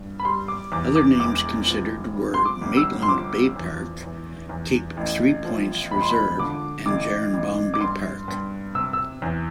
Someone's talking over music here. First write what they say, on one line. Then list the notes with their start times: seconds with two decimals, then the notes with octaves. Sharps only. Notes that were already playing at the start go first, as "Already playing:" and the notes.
Other names considered were "Maitland Bay Park", "Cape Three Points Reserve" and "Gerrinbombi Park".
Already playing: G2
0.20 B5
0.25 G3 C6
0.48 D6
0.72 E2 D6
0.95 D6
1.20 E1 D6
1.67 F3
2.14 G3
2.34 C6
2.45 D6
2.61 G1
2.77 E6
3.02 C6
3.08 F3 D6
3.56 E2
4.03 E2
4.49 E2
4.97 A1
5.45 F3
5.91 E1 B5
6.01 C6
6.10 B5
6.39 D3 D6
6.86 A1 D6
7.33 A1
7.74 D6
7.80 G2 C6
8.28 G2
8.75 C3 E6
8.93 E6
9.22 E2